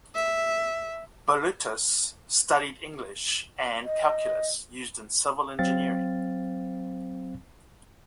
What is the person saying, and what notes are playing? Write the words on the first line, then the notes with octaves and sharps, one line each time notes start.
Balutis studied English and calculus used in civil engineering.
E5
D#5
F#3 C4 F5 A6